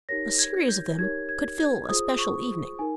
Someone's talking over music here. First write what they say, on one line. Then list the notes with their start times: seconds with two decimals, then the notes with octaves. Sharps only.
A series of them could fill a special evening.
0.09 D#4 G4 A#4 C#5 A#6
0.39 G#6
0.69 G6
0.99 D#4 G4 A#4 C#5 G#6
1.29 G#6
1.59 G#6
1.89 F4 G#4 C5 D#6
2.19 C#6
2.79 D#4 A#4 G#5